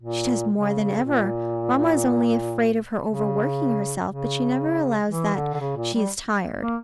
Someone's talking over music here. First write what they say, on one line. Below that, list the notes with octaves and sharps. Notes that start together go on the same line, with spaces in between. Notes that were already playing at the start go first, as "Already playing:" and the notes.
'She does more than ever: mamma is only afraid of her overworking herself, but she never allows that she is tired.
A#2
C#3
A#2
C#3
C#3
E3
D3
D3
C#3
A#2
G3
A#3